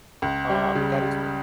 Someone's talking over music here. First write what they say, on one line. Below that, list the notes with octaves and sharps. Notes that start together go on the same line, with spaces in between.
Um, that's the
C#2
G3
C#3
G3